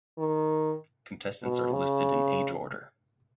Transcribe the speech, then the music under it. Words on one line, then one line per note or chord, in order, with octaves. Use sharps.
Contestants are listed in age order.
D#3
B2
C#3